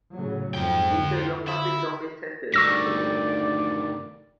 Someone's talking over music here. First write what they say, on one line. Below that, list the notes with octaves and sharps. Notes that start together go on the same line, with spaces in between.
Enter your public domain sentence here.
A2 C#3 F#3
F2 G#2 F4 G5
D3
E4
D2 G2 D#3 D5 C#6 E6 A#6